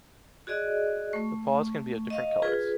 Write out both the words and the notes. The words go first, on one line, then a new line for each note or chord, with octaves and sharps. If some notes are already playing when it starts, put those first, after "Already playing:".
The paws can be of different colors.
F#4 G#4 D5 D#5
A3 C#6
D#5 F5 C#6
F4 G#4 B4